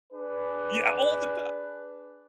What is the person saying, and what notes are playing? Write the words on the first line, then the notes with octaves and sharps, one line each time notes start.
Yeah, all the time.
D4 G#4 B4